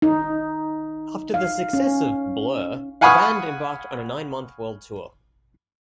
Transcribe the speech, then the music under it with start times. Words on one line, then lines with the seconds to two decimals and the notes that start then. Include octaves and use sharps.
After the success of "Blur", the band embarked on a nine-month world tour.
0.02 D#4
1.34 F5
1.73 C#4
3.01 F5 F#5 G#5 B5 C#6 D#6